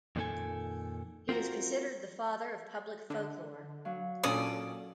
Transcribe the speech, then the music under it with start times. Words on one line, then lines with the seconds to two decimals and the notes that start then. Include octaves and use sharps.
He is considered the Father of Public Folklore.
0.16 F2 A#2 D#3 A3 A4 G#5
1.29 C4 F4 F#4 A#4
3.10 D3
3.85 F#3 F5
4.24 A#2 C#4 D4 A4 D5 D#6